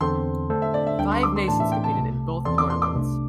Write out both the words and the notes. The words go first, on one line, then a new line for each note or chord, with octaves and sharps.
Five nations competed in both tournaments.
E2 D3 C4 A4 C5 C6
D3 A3 D4 A4 C5
E5
D5
E5
D2 D3 G3 D4 G5
C6
D6
C6
A2 E3 A3 D4 A5
E5
G5
A5
C2 C3 A3
E2 E3 C4 A4 D5 C6
D6
C6
D6
C2 C3 A3 D4